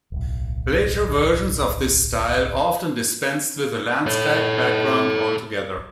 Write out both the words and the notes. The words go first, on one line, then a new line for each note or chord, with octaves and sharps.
Later versions of this style often dispensed with a landscape background altogether.
D1 B1
A4 C#5